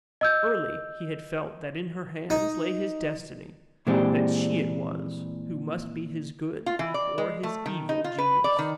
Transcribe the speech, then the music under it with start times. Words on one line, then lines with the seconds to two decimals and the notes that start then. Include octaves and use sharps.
Early he had felt that in her hands lay his destiny; that she it was who must be his good or his evil genius.
0.21 D#5 E6 G6
2.30 D#4
3.87 A#2 E3 G#3 C4 D4 G4
6.66 F4
6.79 E3
6.94 D5
7.18 G#3
7.43 A3
7.66 D#3
7.89 D#4
8.04 F4
8.18 B4
8.44 D5
8.59 D#3